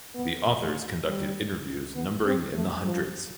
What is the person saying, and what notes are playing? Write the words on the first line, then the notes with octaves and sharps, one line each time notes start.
The authors conducted interviews numbering in the hundreds.
B3
A3
G3
B3
C4
A3
F3